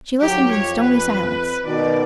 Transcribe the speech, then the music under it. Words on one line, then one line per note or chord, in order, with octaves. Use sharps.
She listened in stony silence.
G#2 D#3 F#3 G4
F2 C#5
B4
B2 D#3 D5